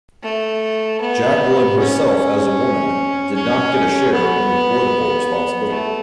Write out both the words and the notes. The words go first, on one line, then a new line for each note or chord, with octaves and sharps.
Jacqueline herself as a woman, did not get a share in the political responsibility.
A3
B3
C#4
C#4
B3
A3